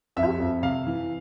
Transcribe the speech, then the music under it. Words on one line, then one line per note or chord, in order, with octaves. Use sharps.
Oh, core.
F2 E5
F2
C3 F5
E3